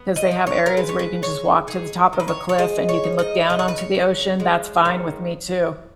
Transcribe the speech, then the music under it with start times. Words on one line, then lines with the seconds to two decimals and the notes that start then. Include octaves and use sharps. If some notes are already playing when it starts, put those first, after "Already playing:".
'cause they have areas where you can just walk to the top of a cliff and you can look down onto the ocean, that's fine with me too.
Already playing: B3
0.16 D#5
0.31 F3
0.47 C#5
0.66 A#4
0.77 G#3 B4
0.89 C#5
0.99 B4
1.22 G#3 C#5
1.67 D#4 G#4
2.13 D#3
2.20 B4
2.28 C#5
2.49 C#5
2.58 G#3 D#5
2.89 C#5
3.04 D#4
3.19 D#5
3.49 C#3 D#5
3.59 C#5
3.68 B4
3.78 C#5
3.95 F#3
4.40 G#3
4.85 D#3